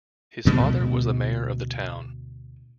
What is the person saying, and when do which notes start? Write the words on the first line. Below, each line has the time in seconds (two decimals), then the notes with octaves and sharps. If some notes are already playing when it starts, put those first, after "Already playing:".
His father was the mayor of the town.
0.45 D2 B2 G#3